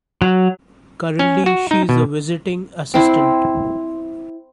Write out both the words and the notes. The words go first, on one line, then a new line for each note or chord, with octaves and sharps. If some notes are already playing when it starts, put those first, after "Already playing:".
Currently she is a Visiting Asst.
F#3
C#4
F#4
D#4
B2
C4 E4 C6